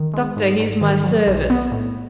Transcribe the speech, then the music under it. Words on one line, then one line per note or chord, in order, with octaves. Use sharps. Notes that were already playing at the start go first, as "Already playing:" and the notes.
Doctor, here's my service.
Already playing: D#3
G#3
G#2
G#2
D#3
F#3
B1
B3
A2